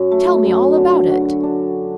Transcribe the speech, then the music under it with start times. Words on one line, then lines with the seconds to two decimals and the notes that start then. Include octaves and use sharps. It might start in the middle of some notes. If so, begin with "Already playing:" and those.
Tell me all about it.
Already playing: F#2
0.11 A3
0.45 F#2
0.77 D3
1.10 F#4
1.44 D4